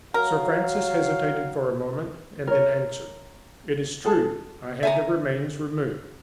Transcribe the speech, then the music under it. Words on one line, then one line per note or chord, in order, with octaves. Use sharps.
Sir Francis hesitated for a moment, and then answered: "It is true, I had the remains removed."
F#3 A#4 F5
A#4 C#5
G#4 A4 A5
E5 G#5 A#5